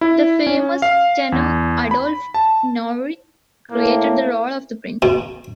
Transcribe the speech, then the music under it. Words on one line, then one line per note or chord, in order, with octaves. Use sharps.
The famous tenor Adolphe Nourrit created the role of the Prince.
E4
C#4
F5
E2
B5
A5
A2 A#3
B2